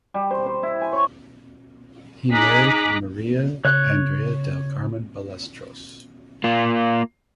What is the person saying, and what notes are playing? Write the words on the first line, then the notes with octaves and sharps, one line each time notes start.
He married Maria Andrea del Carmen Ballesteros.
G3
C5
C5
E4
G#5
C#5
D#4 G#4 D6 F#6 A#6 B6
C#3 C#5 F#6
A#3 F4